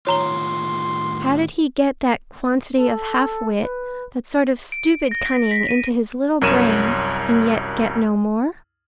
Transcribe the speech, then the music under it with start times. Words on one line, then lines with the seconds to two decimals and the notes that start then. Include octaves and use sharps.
How did he get that quantity of half-wit, that sort of stupid cunning, into his little brain, and yet get no more?
0.07 A2 D#3 F4 C#5 A#5 C6 G7
2.78 A4
3.62 B4
4.72 D7
5.11 A#6
5.51 B6
5.68 D#7
6.41 C2 F#2 A#4 C#5 D#7 E7